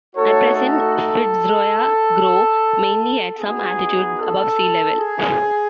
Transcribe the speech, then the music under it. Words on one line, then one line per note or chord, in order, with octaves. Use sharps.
At present "Fitzroya" grow mainly at some altitude above sea level.
A3 D#4 F#4 A4 C#5
A4
A4
B3 D#4 F#4 G#4
A4
G#4